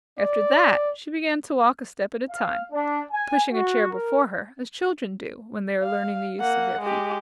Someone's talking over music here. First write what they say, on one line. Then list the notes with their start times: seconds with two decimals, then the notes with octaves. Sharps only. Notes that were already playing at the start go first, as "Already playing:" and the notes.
After that she began to walk a step at a time, pushing a chair before her, as children do when they are learning the use of their feet.
0.19 D5
2.30 F5
2.72 D4
3.12 G#5
3.52 F#4
3.91 A#4
5.82 F5
6.40 A#3 F#5
6.80 G#3 G4